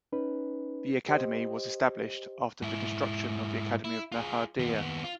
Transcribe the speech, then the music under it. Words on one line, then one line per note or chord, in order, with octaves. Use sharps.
The academy was established after the destruction of the academy of Nehardea.
C#4 D#4 B4
G4 C5 D#5
G#2 E4
E4
F4 G#4
D#2 B3
F4